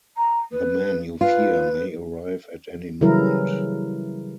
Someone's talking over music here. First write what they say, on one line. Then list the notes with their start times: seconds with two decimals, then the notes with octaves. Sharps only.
The man you fear may arrive at any moment.
0.16 A#5
0.52 B4
1.21 F4 B4
3.01 C#3 E3 F#3 G3 E4 A#4